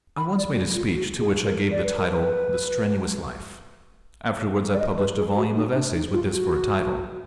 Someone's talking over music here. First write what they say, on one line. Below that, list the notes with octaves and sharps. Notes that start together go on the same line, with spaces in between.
I once made a speech to which I gave the title "The Strenuous Life." Afterwards I published a volume of essays with this for a title.
B5
D5
F#4
F4
F#4
G#4
A#4
D5
B4
A#4
B4
D5
D#5
B4
G#4
F#4
D#4
D4
D#4
F4
F#4